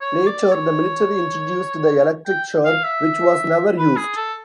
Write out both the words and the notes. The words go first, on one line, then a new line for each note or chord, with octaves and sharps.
Later, the military introduced the electric chair, which was never used.
C#5
D5
C#5
G5
F5
E5
B4
G#4
A4